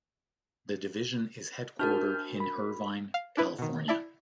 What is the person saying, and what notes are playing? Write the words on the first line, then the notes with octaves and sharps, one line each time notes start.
The division is headquartered in Irvine, California.
D4 F#4 A#4 A5 F6 G6
B5
F5
D4 E4 B4
B2 D#3
E4 D5 E5 A5